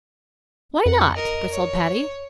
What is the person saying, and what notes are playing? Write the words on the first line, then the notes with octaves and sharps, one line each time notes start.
"Why not?" bristled Patty.
F2 F#5
A#4 D#5
C#5